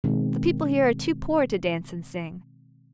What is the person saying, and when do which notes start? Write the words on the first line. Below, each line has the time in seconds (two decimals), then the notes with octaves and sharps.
The people here are too poor to dance and sing.'
0.04 B2 D#3 G#3 C4